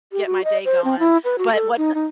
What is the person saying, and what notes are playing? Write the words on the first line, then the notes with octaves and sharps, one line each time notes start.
get my day going. But what, uh
G4
F#4
D#5
C5
C4
E4
B4
F#4
A4
D#4
D#4